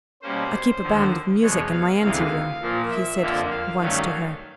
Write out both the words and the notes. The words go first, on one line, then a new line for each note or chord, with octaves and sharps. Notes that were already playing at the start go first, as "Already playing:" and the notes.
"I keep a band of music in my ante-room," he said once to her.
B2 G3 A#3 C#4 C5
D#2 D3 F3
E2 B2 G#3 B3 C#5
F5
D2 C3 E3 G#3 B3 F5
A#2 F3 A#3
E5
F2 D3 F3 A#3
F5
G2 D#3 F#3 A3 C#4